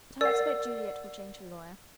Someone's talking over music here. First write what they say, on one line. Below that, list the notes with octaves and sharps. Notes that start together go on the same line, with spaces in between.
But I expect Juliet will change her lawyer.
A#4 D5 F#5